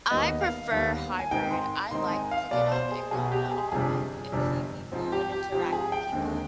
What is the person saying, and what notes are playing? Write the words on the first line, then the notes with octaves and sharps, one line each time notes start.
I prefer hybrid, I like to get up and go to the office and see people and interact with people.
D#2 D#3 G3 B3 D#5
F5
D#2 D#3 G3 B3
G#5
G#2 D#3 G#3 C4 D#4 G5
C6
G#2 D#3 G#3 C4 D#4 C6
G#5
F5
B1 B2 B3 D5
C5
G#4
B1 B2 B3 G#4
G4
G#4
G1 F2 C3 G3 D4 G#4
G1 F2 C3 G3 D4
G#2 F3 C4
G4
G4
G#2 F3 C4 G4
G#4
G5
D#2 D3 G#3 C4